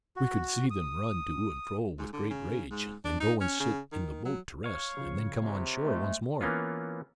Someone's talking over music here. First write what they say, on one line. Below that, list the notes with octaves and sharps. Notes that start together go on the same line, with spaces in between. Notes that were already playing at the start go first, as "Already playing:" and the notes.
We could see them run to and fro, with great rage; then go and sit in the boat to rest, and then come on shore once more.
F#4
D#6
G#2
D3
C#3
G#2
D4
D#4
C#4
C#3
D#3
F#3
C#5 F5
C#3 F3
C3
G#3 A3 C5
E3 A#3 B3 C#4 F4